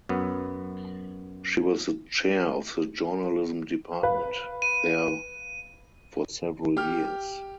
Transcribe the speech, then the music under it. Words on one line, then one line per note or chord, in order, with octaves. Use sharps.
She was the chair of the journalism department there for several years.
F#2 B3
B4 F5
D#7
G4 F6